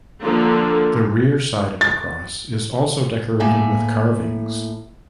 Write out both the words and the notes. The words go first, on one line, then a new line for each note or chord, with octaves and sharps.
The rear side of the cross is also decorated with carvings.
D3 F3 A#3
A6
A2 A#3 E5 G#5